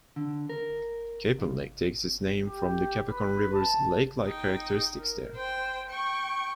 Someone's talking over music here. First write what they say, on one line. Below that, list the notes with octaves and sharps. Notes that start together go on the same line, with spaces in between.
Capon Lake takes its name from the Cacapon River's lake-like characteristics there.
D3
A#4
C#2
G4
B4
A5
D#4 G5
A#4
C5 G5
G5 C#6